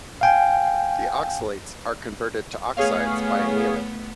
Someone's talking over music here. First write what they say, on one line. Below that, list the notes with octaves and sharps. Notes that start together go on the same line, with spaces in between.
The oxalates are converted to oxides by annealing.
F5 G5 G#5
A3 B3 G#4 C#5 F5